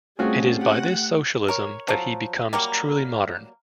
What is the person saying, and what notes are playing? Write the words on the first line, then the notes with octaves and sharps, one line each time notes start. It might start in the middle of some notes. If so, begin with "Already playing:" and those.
It is by this socialism that he becomes truly modern.
G3 A3 C4 C#4 F4 F#4 G#4
G4 F#5
A#4 C#5
F3 F#3
F#3 G3 A#3